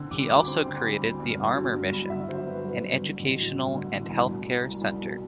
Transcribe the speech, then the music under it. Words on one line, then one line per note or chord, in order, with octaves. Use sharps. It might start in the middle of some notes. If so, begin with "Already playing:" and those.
He also created the Armour Mission, an educational and healthcare center.
Already playing: D3 C4 E6
G3 D6
D2 D6
C4 C6
D3
G3
D2
G2
D3
F#3
G2
G2 B5
D3 E5
F#3 C5
G2 B4
F#3 B4
G2
D3
A1
F#3
G2
D3
A1
C2
B2
F#3
C2
C2
B2